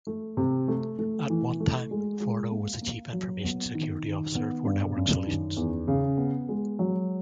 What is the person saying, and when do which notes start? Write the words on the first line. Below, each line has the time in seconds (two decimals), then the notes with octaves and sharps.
At one time, Forno was the Chief Information Security Officer for Network Solutions.
0.07 A3
0.37 C3
0.68 A3
0.99 A3
1.30 E3
1.60 A3
1.91 G#3
2.20 G#3
2.51 A#3
2.82 A#3
3.13 F#3
3.43 B3
3.74 D#3
4.05 D#3
4.35 B3
4.65 G2
4.96 F#2
5.26 D#3
5.57 E2
5.88 C#3
6.18 B3
6.49 G#3
6.79 F#3